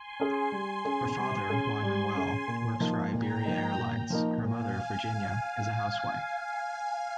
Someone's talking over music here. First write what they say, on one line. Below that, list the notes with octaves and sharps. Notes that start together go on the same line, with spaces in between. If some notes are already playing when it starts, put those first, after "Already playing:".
Her father, Juan Manuel, works for Iberia Airlines; her mother, Virginia, is a housewife.
Already playing: G#5 C6
C#4 G#4 G#5 C6
G3 G#5 C6
C#4 G#4
G3 G#5 C6
C#4 G#4
G3
C#4 G#4
A#2
F3 A#3 D#4
A#2 G5 A#5
F3 A#3 D#4
A#2
F3 A#3 D#4
A#2 F5 G#5